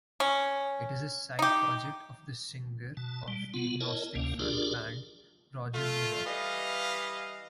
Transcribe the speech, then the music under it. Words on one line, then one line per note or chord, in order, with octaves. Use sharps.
It is a side project of the singer of the Agnostic Front band, Roger Miret.
C#4
D#4 G4
B2 A5
G3
B3 F4
E4 A#4 C#5 D#5 A5
D2 C3 A#3 C#4
D4 F4 G4 G#4 A#4 D5
A3 F4
E3 G3 D#5 F5